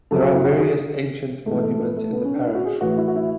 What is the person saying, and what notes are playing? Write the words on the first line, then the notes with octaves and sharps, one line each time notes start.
There are various ancient monuments in the parish.
F#2 C#3 F#3 A4
F#4
E4
F#4
G#4
G#4
G#2 E3 A3
A3
B3
A3
B3
C#4
D4
E4
F#4
G#4
A2 E3 F#4
E4
F#4
E4